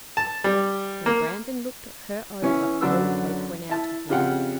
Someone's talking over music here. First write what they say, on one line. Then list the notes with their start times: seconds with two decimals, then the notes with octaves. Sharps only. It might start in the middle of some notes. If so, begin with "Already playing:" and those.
When Brandon looked her over, all hope went out of him.
0.17 A5
0.44 G3
1.06 A#3
2.42 E3 B3 C#4 E4
2.81 F#2 D3 F#3 D4 B4 E6
3.69 E4 A5
4.09 F2 C#3 F4 G4 F#5 G5